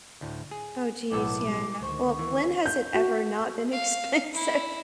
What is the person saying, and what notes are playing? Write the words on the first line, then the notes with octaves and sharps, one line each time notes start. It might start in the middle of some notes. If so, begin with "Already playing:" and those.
Oh, jeez, yeah. Well, when has it ever not been expensive?
D2 A2
G#4
B1 A2 B3 E4 A4 D6
G3 G#3
D2 D#3 C5 C#6
E3
G6
F#4
F5
E4